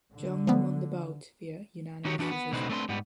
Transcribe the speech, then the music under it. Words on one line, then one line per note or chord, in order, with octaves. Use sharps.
Jung won the bout via unanimous decision.
D3
F3 G3 B3
D#3 D#4 F#4 G4 C#5
E3 D4 F#4 B4
B3
C#2 B2 D3 D#4 B4 C5
A3 C4 D4 B4 C6
G#2 G3 B3